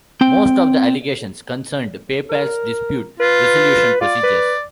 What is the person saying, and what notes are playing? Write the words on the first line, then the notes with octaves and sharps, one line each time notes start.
Most of the allegations concerned PayPal's dispute resolution procedures.
C4 G5
A#4
F4 B4
F4 D5
B4